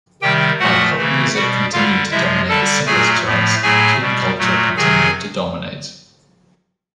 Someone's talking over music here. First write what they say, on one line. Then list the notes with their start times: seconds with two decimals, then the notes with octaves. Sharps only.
While pop music continued to dominate the singles charts, teen culture continued to dominate.
0.22 C3 D#3 G3 G4 G5
0.59 A#2 F3 A3 F#4 F#5
0.98 C#3 E3 A3
1.35 B2 G3 F#4 F#5
1.73 D3 G3 F4 F5
2.11 C3 F3 G#3 E4 E5
2.49 D3 G3 A4 A5
2.86 A#2 F#3 A3 G#4 G#5
3.24 A2 F3 A3
3.62 A2 F#3 A3 G#4 G#5
4.00 B2 G3
4.38 A#2 F#3 A3
4.76 C3 D#3 F#3 G#4 G#5